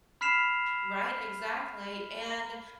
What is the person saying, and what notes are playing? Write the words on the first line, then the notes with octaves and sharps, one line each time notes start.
Right, exactly, and,
B5 F6 B6 C7 E7 F7